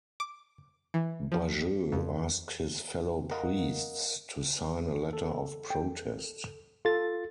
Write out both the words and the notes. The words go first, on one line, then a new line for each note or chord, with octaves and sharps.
Bajeux asked his fellow priests to sign a letter of protest.
D6
E3
F3
F2
A#4 D#5 F5 F#5
A4
G5
F4 A4 A6